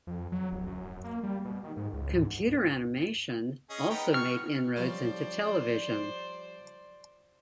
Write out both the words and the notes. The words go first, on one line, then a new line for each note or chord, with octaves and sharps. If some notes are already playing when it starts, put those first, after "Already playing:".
Computer animation also made inroads into television.
F2
F#3
D1
F#2
F#2
A#3
G3
B2
D#3
G#2
C#2
G#2
C#4 G#4 D#5
B3 D#4 G5
C#6 F6
F3 G3 C#4 C5 D5